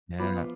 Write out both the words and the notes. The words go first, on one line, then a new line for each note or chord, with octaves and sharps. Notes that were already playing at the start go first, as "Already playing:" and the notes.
Yeah, no
F3 B3 F4 B5 D6